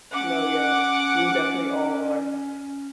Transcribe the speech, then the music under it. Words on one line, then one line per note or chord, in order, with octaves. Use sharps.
No, yes. We definitely all are.
C#4 F#5 D6